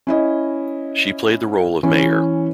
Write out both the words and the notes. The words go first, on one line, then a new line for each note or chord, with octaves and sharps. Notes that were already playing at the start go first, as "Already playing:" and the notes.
She played the role of mayor.
C#4 E4 D#5
E3 C#4